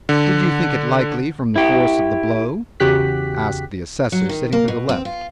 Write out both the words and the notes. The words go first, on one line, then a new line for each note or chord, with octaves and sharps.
Did you think it likely from the force of the blow?' asked the assessor sitting to the left.
D3
E4 G4
E2 C#3 F#4 G4 F#6 B6
F#3
D#3
A#3
B2
C4
F4